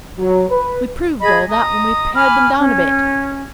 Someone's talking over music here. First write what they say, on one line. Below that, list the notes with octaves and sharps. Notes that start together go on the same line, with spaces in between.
We proved all that when we pared them down a bit.
F#3
B4
G#4 D#5 B5
D#5 A#5 D#6
G#5 B5 D6 F6
C#4